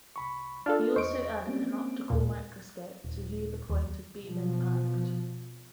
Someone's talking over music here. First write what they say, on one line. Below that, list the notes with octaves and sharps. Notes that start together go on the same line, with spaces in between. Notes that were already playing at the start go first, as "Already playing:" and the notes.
He also added an optical microscope to view the point of beam impact.
C2 B5 C#6
D4 F4 A4 F6
E2 C5 D#5 C#6 D7
A#3 C4 C#4
D#2 A#2
D#1
D#2
B2 F3